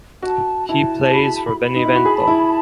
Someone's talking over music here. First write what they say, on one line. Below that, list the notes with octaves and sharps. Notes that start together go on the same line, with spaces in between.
He plays for Benevento.
F#4 A5
E4 A5
G#4
F#4 B5
B5
D#4
E4
F#4
G#4 A5
E4